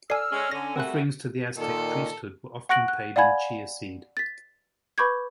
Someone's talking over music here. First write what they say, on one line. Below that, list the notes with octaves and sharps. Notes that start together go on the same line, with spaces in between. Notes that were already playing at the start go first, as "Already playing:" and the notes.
Offerings to the Aztec priesthood were often paid in chia seed.
A4 D5 G#5 E6 F6 C7
G#3 C#4
D3 C#4 G#5 A#6
G3 A3 C4 F#4 A#4 F#6
A#2 D#3 A4
F#5 C#6 F#6 A#6 D7 F#7
F#6
D5 F5 F#5 G#5 B5 G#6
A6 B6
B4 B5 C#6 D6 G6 G#6